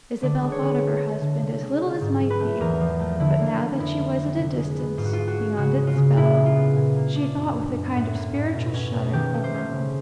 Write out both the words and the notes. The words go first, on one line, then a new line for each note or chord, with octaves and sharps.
Isabel thought of her husband as little as might be; but now that she was at a distance, beyond its spell, she thought with a kind of spiritual shudder of Rome.
D3 D5
G#3
C#5
B3
D3
A3
D3
C3
G#3
C4
G#2
F#3
B4
A3
E2 A#4
F3
A3
D3 E4
A#3
D3
F2 E4
F#3
A3
C3
G#3
B3
G#2 F4
F#4
G#3 F4
F#4
C#4
C#3 F#4
G#3
F4
C#3
A#2 E4
G#3
F4
B3
A#2
A#3
D4
F#2
F#3
F#2
A2 F#4
A#3
A2
B2
C#4
B2
D#3 G4
A3
C5
C#4
C#3